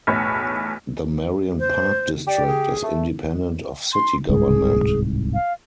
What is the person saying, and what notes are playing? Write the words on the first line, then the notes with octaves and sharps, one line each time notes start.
The Marion Park District is independent of city government.
B1 E2 A2 C#5 B5
C5
G4 D5
G#4
A3
C6
D1 C2 G#2 G#4
F5